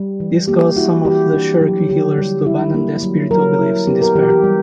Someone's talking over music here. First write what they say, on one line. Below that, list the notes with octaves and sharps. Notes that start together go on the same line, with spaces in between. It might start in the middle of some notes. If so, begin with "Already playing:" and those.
This caused some of the Cherokee healers to abandon their spiritual beliefs in despair.
Already playing: G3
E3
A#3 G4
E4 F#4
E3 G4
D4
F#3 G4
D3 G4
G3
E4
A#3
F#3
F#3 A#4
E4
B3 G4
A#4
E3 G4
G4
G3